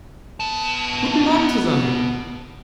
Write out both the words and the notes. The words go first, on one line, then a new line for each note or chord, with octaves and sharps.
Guten Morgen zusammen!
B3 A5